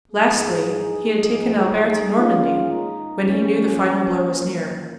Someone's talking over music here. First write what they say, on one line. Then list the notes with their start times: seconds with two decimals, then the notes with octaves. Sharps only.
Lastly, he had taken Albert to Normandy when he knew the final blow was near.
0.13 G#2 F3 A#3 D#4 G#4
1.15 G#2 F3 G#3 D#4 G#4
1.67 D#4 G#4
2.18 A#2 G#3 C#4 F4
2.69 D#4
3.20 A#2 F3 G#3 C#4
4.23 A#2 A#3